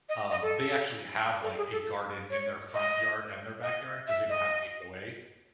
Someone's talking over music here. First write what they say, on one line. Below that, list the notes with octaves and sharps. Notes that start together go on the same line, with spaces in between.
um, they actually have, like, a garden in their front yard and their backyard 'cause they don't have an HOA,
D#5
D#5
A4
A4
G#4
A4
C#5
D#5
D#5
E5
D#5